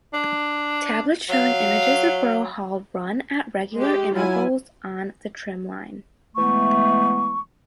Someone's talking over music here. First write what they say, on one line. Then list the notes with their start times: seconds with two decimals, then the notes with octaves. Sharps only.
Tablets showing images of Borough Hall run at regular intervals on the trim line.
0.13 D4
1.29 F#3 F5
3.76 G#3 G4
4.14 F#3 E4 F4 G#5
6.36 E3 G#3 A3 B3 C#6